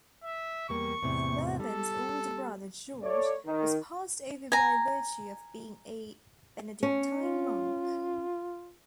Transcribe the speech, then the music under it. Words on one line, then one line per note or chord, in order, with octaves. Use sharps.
Mervyn's older brother George was passed over by virtue of being a Benedictine monk.
E5
E2 G3 A#3 C#6
E2 A2 C3
G3 A4
A3 C#5 D5
D#3
G#5 A#5
C#4
F4